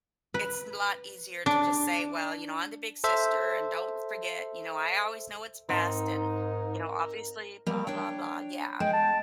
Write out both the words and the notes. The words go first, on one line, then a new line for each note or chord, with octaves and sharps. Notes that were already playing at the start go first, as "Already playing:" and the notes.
it's n a lot easier to just say, "Well, you know, I'm the big sister and don't w forget, you know, I always know what's best and, you know, obviously blah blah blah," yeah.
B4
D4
A4 C5 E5
G#2 C4 D#4 A#4
G3 A#3
D4 C#5 G5
G#3 G5
A5